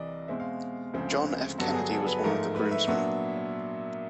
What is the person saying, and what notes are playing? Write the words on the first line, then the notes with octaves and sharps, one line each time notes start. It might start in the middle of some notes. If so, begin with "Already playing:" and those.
John F. Kennedy was one of the groomsmen.
Already playing: C2 C3 E3 D5 D#5
B2 G#3 C4 E5
F5
D2 C#3 F3 G#3 C4
G2 D3 F#3 B3 D4 A4
G#4
A4
B4
G#2 F3 A3 A#4
B4
E5
A#2 F#3 B3 D4 E5